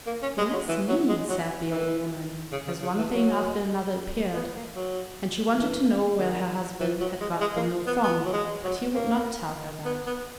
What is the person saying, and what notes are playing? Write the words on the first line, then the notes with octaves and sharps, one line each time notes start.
"Bless me!" said the old woman as one thing after another appeared; and she wanted to know where her husband had got the mill from, but he would not tell her that.
A#3
C#4
G#3
F#3
E3
F#3
G#3
F#3
E3
C#3
C#3
C#3
E3
F#3
B3
A#3
F#3
E3
D#3
E3
F#3
G#3
G#3
A#3
B3
B3
F#3
G#3
F#3
A#3
B3
B3